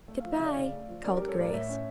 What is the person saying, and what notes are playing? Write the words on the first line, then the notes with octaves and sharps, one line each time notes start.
"Good-bye," called Grace.
A3
F3 F5
E5
C#3
D5 F5
C#3
A3
F3
C#4 A#4 D5
G3 G4 A#4
A4 C#5
A2 A#4 D5
A2 C#5 E5
C#4